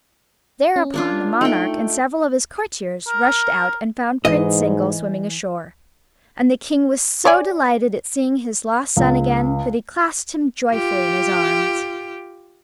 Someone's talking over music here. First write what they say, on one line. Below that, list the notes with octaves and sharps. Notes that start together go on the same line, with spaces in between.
Thereupon the monarch and several of his courtiers rushed out and found Prince Zingle swimming ashore; and the King was so delighted at seeing his lost son again that he clasped him joyfully in his arms.
C#4
A#3 D4 F4
A3 D#4 G5
A#4
G#2 E3 D#5
C#5 D5 G#5
C#2
F4 G4